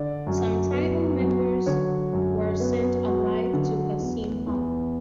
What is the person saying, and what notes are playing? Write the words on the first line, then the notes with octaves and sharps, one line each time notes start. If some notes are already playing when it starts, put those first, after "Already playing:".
Some tribal members were sent alive to Qasim Khan.
Already playing: D3 D5
F#2
B3
F#3
D3 C#5
F#2
B3
F#3
D3
E2
E2